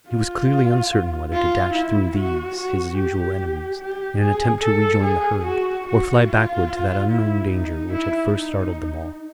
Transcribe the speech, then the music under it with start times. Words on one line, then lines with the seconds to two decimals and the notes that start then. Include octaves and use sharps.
He was clearly uncertain whether to dash through these his usual enemies, in an attempt to rejoin the herd, or fly backward to that unknown danger which had first startled them all.
0.09 F4
1.33 F4
1.74 E4
2.15 F#4
2.56 F#4
2.98 G4
3.80 G4
4.21 G#4
4.63 A4
5.04 G#4
5.45 F#4
5.87 F#4
6.28 F4
7.11 E4
7.51 D#4
7.93 E4
8.33 D#4